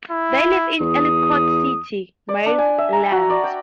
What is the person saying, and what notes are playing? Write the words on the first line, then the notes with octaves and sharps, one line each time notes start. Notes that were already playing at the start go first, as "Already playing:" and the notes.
They lived in Ellicott City, Maryland.
E4
E2 D#6
D5
D4
G#5
E5
A#5
F#4
D5
G5